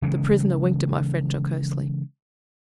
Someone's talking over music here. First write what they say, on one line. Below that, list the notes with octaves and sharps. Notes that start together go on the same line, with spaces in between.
The prisoner winked at my friend jocosely.
C#3 E3 G#3